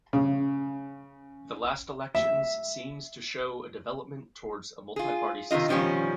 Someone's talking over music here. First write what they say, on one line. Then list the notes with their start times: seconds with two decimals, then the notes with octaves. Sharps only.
The last elections seems to show a development towards a multi-party system.
0.13 C#3
2.15 E5
4.96 F4 G#4
5.51 C3 D#3 E3 F4 D#5
5.68 B2 D#3 F3 G3 C#4